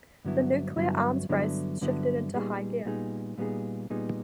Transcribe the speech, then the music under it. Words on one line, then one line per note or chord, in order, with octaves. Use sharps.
The nuclear arms race shifted into high gear.
G2 D3 F#3 B3 E4
G2 D3 F#3 B3 E4
G2 D3 F#3 B3 E4
G2 D3 F#3 B3 E4
A#2 G3 B3 D#4 G#4
A#2 G3 B3 D#4 G#4
A#2 G3 B3 D#4 G#4
A#2 G3 B3 D#4 G#4